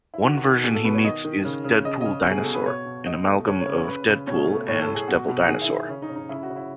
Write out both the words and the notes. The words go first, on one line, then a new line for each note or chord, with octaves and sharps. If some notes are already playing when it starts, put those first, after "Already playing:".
One version he meets is "Deadpool Dinosaur", an amalgam of Deadpool and Devil Dinosaur.
E4
D#3 F#4
D#3
B2 G#4
A4
B2 B4
C#5
D#3 D#5
D#3
C#3
C#3
C#3 D#5
C#3 D#5
B2 G#4
B2 A4
B4
B2 C#5
B2
B2 D#5
A3
C#3 C#5
C#5
C#3
C#5
C#3 B4
C#3
B2 C#5
A3
A2 C#5
A4
A2
G#4
B2 F#4
B2
F#4
D#3 G#4
E4
D#3
C#3 C#4
D#4
C#3
D#4
C#3 E4
F#4
C#3
E4